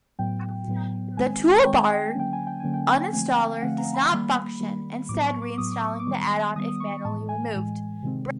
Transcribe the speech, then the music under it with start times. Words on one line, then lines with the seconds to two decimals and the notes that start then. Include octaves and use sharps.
The toolbar uninstaller does not function, instead re-installing the add-on if manually removed.
0.19 A2 F#3 B3 G5
0.68 A2 F#3 B3
1.17 D#3 G#3 C4 G#5
1.65 D#3 G#3 C4 G5
1.80 G#5
1.93 G5
2.06 G#5
2.15 D3 F#3 A#3 C#4 G5
2.33 G#5
2.47 G5
2.60 D3 F#3 A#3 C#4 G#5
2.74 G5
2.87 G#5
3.01 G5
3.13 D3 F3 A3 C4 G#5
3.27 G5
3.52 F5
3.62 D3 F3 A3 C4 F#5
3.78 A#5
3.94 B5
4.11 D#3 G3 A#3
4.60 D#3 G3 A#3
5.09 A2 F#3 B3 D6
5.25 C#6
5.42 D6
5.58 A2 F#3 B3 D#6
5.72 D6
5.85 C#6
6.00 D6
6.07 D#3 G3 B3
6.56 D#3 G3 B3 D#6
6.68 D#6
6.80 C#6
6.92 C#6
7.05 A2 E3 G#3 A5
7.29 G#5
7.54 A2 E3 G#3
8.03 C3 D#3 G#3 C4